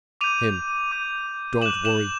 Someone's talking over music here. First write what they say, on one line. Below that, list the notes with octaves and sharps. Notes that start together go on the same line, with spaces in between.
HIM: Don't worry.
D6 G6 D#7 F7
D6 G6
D6 F#6 E7 F#7
E7 F#7